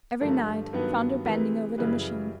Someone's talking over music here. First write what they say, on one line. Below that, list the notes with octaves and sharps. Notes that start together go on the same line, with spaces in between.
Every night found her bending over the machine.
G2 D3 F3 A3 A#4
G2 D#3 F#3 B3 B4
C3 E3 G#3 A#4
F#2 C#3 E3 G3 B4